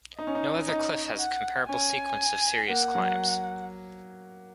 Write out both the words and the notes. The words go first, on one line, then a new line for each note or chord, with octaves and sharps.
No other cliff has a comparable sequence of serious climbs.
D#4 D#5
C#4
D#4
D#4
F#5
C#4 G#5
A#3 F#5
F#3